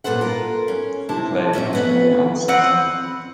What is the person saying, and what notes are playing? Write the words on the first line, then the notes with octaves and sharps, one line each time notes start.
He played as wing and centre.
A#2 C#3 A4 B4 C5 F#5
F4 A#4
C#4
C3 E4 C5 A5
F2 A#2 C#4 E5
A3 B3 C#4 B4
C4 B4 F#5